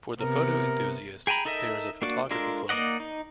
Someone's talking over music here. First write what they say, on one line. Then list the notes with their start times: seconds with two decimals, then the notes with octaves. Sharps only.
For the photo enthusiasts there is a Photography Club.
0.21 C3 B3 A#4
1.27 G#4 G5 G#5 A#5 B5
1.45 D#4 A4 A#4 D#5 E5
2.02 A#3 D4 F#4 D5
2.31 G#3 D4 F4 A4 A#4
2.69 A#3 D#4 D5 D#5 F#5
3.00 D#4